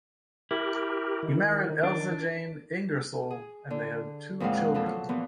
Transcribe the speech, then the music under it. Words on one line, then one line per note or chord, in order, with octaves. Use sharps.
He married Elsie Jane Ingersol and they had two children.
E4 G4 A#4
D#3
D4
G#4
D3
F2 A#2 E3 G#3 F5 F#5
E3 F3 A4
F#3
A#2 E3 F3 B3